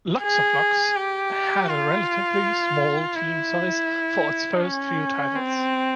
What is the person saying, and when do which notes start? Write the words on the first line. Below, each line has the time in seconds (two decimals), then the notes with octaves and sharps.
Luxoflux had a relatively small team size for its first few titles.
0.23 G#4
0.96 G4
1.69 F4
3.15 E4
4.62 C#4
5.36 C4